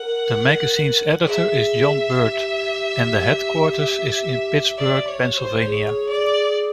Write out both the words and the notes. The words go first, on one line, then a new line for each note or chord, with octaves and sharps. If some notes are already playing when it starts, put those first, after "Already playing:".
The magazine's editor is John Burtt and the headquarters is in Pittsburgh, Pennsylvania.
Already playing: A#4 F#5
G#4 E5
G4
D5
C#5
C5
G#4 C#5
D5